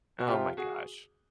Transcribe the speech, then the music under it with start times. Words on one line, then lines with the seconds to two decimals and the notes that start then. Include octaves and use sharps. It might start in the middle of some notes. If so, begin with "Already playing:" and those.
Oh my gosh.
0.19 F#4
0.28 C3 F4 G4
0.57 F#4 G#4